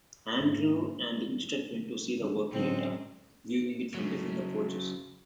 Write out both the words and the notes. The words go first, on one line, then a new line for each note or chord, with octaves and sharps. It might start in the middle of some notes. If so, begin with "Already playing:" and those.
Andrew and instead went to see the work later, viewing it from different approaches.
G#2 C#3 A#3 D4 E4
A2 D3 F#3 G#3 C4 C#4
C#3 F#3